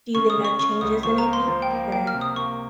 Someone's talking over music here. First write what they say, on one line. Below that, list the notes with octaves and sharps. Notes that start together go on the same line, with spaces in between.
Do you think that changes anything, or
C#3 C#6
D#6
C#3
C#6
C#3 C#6
C#2 D#6
F3 C#6
A#5
A#3
C6
F3
G5
A#3
A#3 G5
F6
C3
D#6
A#3 C#6